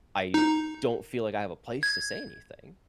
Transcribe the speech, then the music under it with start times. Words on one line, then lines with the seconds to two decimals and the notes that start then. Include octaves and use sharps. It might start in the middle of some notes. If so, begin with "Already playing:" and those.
I don't feel like I have a place to say anything
0.34 D#4
1.83 G#6